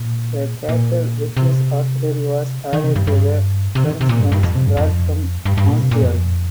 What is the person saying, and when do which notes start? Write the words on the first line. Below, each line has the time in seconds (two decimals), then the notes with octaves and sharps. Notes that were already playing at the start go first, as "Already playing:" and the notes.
The captured British artillery was added to the French guns brought from Montreal.
Already playing: A#2
0.69 A#2
1.37 C3
2.73 D#3
2.84 C3
2.96 G2
3.07 G2
3.75 C3
3.84 D#3
4.01 C3
4.09 A#2
4.21 G2
4.32 G2
4.43 F2
4.55 C3
4.66 G2
4.77 F2
5.45 G2
5.57 G2
5.69 A#2
5.79 C3
5.91 A#2
6.02 F2